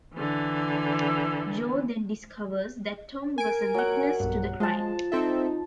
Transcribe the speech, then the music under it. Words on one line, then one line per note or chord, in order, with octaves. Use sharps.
Joe then discovers that Tom was a witness to the crime.
D3 E3
A#4 G#5 D7
F#3 F#5
B1 G2
F3 G#3 A5
C4 D#4 A4 E5